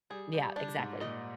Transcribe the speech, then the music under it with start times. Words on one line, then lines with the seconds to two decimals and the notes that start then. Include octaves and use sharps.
Yeah, exactly.
0.10 G3 G#4
0.33 G3
0.56 G3 D4
0.78 G#2
1.01 A#2 D#5